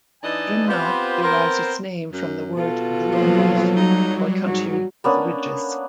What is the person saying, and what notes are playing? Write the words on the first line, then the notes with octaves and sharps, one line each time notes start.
Drimnagh derives its name from the word "druimneach", or country with ridges.
E3 D4 D#4 D#5 G#5 A5
B3 C4 F4 G4 B4 C5
B3 C4 A#4 C5
F#2
B2 F4 A4
F3 F#3 A#3
G3 D#4
G#2 F#3 F#4
A#3 B3 C#4 D4